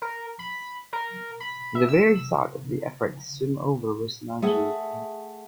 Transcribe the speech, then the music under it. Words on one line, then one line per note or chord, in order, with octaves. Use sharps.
The very thought of the effort to swim over was nauseating.
A#4
B5
A#4
B5
E5
E6
A3 G#4 E5 F#5